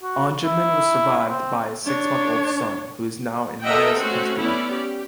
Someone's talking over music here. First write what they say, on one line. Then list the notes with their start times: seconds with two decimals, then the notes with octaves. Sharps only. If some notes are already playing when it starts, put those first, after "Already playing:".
Anjuman was survived by a six-month-old son, who is now in Neia's custody.
0.03 F#4
0.44 E4
1.29 C4
1.86 D4 C#5
3.63 A4 A#4 D#5 E5 F#5 G5
3.98 A3 C4 C#4 F#4
4.40 B3 C#4 E4 D5
4.74 G4